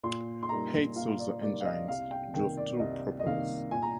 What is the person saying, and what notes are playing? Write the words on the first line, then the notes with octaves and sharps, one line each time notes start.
Eight Sulzer engines drove two propellers.
A#2 C6
C6
G3 A#3 D#4 A#5
A#2 F5
D5
G3 A#3 D#4 D5
F5
D#5
C2 F5
G5
C3 D#3 A#3 G5
D5
C2 D#5
D#5
C3 D#3 A#3 F5
A#2 G#5
A#5